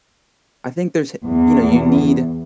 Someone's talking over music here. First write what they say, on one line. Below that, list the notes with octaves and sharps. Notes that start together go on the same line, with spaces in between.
I think there's h you know, you need
E2